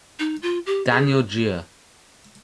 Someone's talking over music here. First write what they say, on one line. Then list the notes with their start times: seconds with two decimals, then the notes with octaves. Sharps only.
Daniel Jiya.
0.19 D#4
0.42 F4
0.66 G4
0.90 G#4